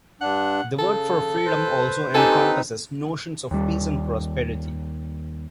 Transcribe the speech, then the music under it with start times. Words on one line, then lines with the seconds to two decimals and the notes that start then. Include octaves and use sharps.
The word for freedom also encompasses notions of peace and prosperity.
0.21 G2 D4 F#5
0.79 C#3 A4
1.45 B4 C5
2.15 C4 D#4 G4 A4 B4 G#5 A5
3.51 D#2 G3